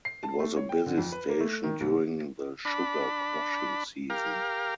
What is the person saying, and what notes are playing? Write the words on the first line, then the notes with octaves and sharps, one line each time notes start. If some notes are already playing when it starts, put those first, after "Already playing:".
It was a busy station during the sugar crushing season.
C7
A5
A3
C#5
G5
D3
F2
B4
A#3
A3
D#3
C2
D4 B5
G4 A#4 F5